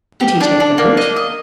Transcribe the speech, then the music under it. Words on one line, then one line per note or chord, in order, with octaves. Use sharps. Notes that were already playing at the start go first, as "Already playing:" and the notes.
"Did he take the note?"
G4
D4
D4
A#3
D#5
D#5